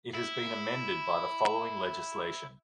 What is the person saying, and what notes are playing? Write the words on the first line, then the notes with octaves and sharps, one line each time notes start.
It has been amended by the following legislation.
E4